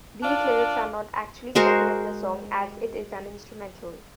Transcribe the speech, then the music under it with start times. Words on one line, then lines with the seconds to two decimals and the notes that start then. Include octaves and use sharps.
These lyrics are not actually spoken in the song, as it is an instrumental.
0.23 D4 F4 D5
1.55 G#3 F#4 A#4 C5